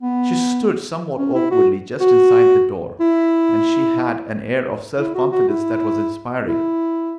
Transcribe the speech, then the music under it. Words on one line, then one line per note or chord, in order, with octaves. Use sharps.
She stood somewhat awkwardly just inside the door, and she had an air of self-confidence that was inspiring.
B3
C#4
E4
F#4
F#4
E4
E4
F#4
F#4
E4
E4